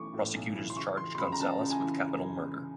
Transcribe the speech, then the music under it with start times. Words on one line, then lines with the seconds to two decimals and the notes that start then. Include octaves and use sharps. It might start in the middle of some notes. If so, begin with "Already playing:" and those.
Prosecutors charged Gonzales with capital murder.
Already playing: B1 E3 A3 C#6 D6
0.14 A2
0.35 B1
0.55 E3
0.70 C6
0.76 C#2 C#6
0.97 E3 C6
1.15 C6
1.18 C#2 B5
1.32 A#5
1.39 C#3 A5
1.60 C#2
1.71 G#5
1.81 E3